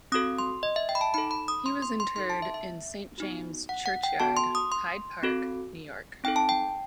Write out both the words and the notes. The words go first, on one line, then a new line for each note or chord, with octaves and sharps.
He was interred in Saint James Churchyard, Hyde Park, New York.
C4 F#4 A4 D#6
C6
D#5
E5
G5
B5
A5
D#4 A4 B5
B5
D#6
C6
C6
C6
D#4 A4 C6
A5
E5
E5
B3 D#4 F#4
F#5
F#5
G5
B3 F#4 A4 A5
C6
D#6
C6
C4 F#4 A4
C4 D#4 A4 G5
A5
G5